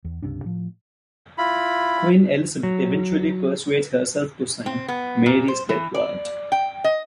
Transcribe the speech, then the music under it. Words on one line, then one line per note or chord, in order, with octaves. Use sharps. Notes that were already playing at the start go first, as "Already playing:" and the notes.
Queen Elizabeth eventually persuades herself to sign Mary's death warrant.
E2
C#2 G2 C3 D4
A2 F3
E4 F4 B5
F#3
C4
B3
A#2
C5
E3
D5
G5
D#5